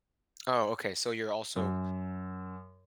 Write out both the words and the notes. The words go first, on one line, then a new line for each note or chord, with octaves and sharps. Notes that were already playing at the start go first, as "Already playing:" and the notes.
Oh, okay, so you're also
F#2